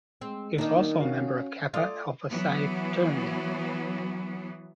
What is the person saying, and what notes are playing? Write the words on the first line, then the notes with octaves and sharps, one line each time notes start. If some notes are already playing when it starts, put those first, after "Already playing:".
He is also a member of Kappa Alpha Psi fraternity.
G#3 C4
D#3 A#3 D4 D#4
C#4 F#4 F5
F4 A4 D5 D#6
E3 F#3 B3